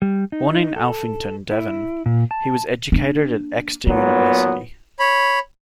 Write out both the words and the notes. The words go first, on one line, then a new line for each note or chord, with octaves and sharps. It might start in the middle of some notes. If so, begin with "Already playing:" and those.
Born in Alphington, Devon, he was educated at Exeter University.
G3
D#4
A4
E4
A#2
A5
A#3 D4
A#2 F#3 B3 D#4
C#5 B5